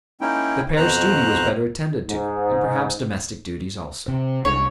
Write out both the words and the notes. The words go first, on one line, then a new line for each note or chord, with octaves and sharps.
The parish duty was better attended to, and perhaps domestic duties also.
G#3 A#3 C#4 D#4 E4 G5
F2 B2 C5 A#5 F#6
G#2
C3
C2 G#3 D4 C#5